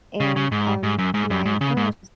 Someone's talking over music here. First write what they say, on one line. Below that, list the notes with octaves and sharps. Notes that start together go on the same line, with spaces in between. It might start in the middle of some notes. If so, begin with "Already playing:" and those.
and, um, my girl
C#3
C#3
G#2
G#2
F#2
G#2
F#2
G#2
C#3
G#2